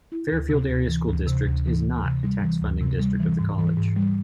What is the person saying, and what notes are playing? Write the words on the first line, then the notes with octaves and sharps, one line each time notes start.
Fairfield Area School District is not a tax funding district of the College.
E4
D2
C3
D2
E3
D2
C3
D2
E3
D2
C3
G3
E3
D2
C3
G3
E3
G#2
E3
G#2
G3